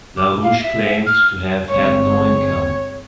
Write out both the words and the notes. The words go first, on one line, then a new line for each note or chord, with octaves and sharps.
LaRouche claimed to have had no income.
D6
F5
E5
F6
G1 G#3 C4 C#5